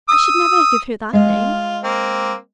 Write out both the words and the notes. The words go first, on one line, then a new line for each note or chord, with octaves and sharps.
I should never give her that name.
D#6 E6
G#3 F4 D#5
A#3 C4